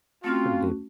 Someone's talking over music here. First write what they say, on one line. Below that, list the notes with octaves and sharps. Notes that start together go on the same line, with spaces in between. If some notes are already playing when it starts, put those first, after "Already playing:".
Pretty deep.
A3 C4 C#4 F4 F#4